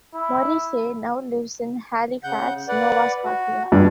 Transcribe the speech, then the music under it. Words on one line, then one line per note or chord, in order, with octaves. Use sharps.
Morrissey now lives in Halifax, Nova Scotia.
E4
C#3 F#5 G6
B4 D5 F#5
F#4
G2 B5